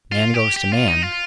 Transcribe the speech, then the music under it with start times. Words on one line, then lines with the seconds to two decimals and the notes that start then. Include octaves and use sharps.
Man goes to Man!
0.12 F4
0.34 G4
0.56 G4
0.72 F4
0.88 D#4
1.02 F4